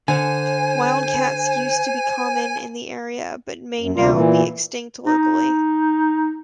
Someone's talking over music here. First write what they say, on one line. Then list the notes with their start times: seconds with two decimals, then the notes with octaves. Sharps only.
Wildcats used to be common in the area but may now be extinct locally.
0.08 D3 C5 G#5
3.80 F#2
3.96 D2 C3 G3 F4
4.11 A#2 E3
5.07 D#4